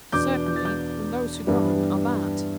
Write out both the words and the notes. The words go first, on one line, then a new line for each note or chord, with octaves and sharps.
"Certainly, when those who govern are bad."
E2 B2 B3 D4 D6 G6
G6
A6
D6 G6
G2 E3 G3 B3 D4